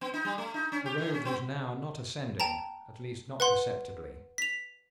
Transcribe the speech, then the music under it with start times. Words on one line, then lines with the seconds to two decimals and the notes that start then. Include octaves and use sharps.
The road was now not ascending, at least not perceptibly.
0.01 B3
0.14 D#4
0.25 G3
0.38 A3
0.54 D#4
0.72 C#4
0.86 G4
0.98 A2
1.13 C#4
1.25 B3
2.40 G5 A5 A#5
3.40 B4 F#5 C6
4.38 B6 F7